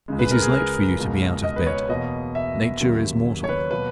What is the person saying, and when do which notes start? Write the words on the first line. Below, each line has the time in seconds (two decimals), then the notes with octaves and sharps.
It is late for you to be out of bed; nature is mortal.'
0.08 C#2 C#3 G#3
0.19 B4
0.31 A#4
0.42 G#4
0.53 A#4
0.98 C#2 B2 G#3
1.44 D#5
1.56 B4
1.67 C#5
1.89 E2 B2 A#3 D#5
2.35 E5
2.80 D#2 C#3 F#3
3.44 C#5
3.49 B4
3.71 B2 F#3 A#3 B4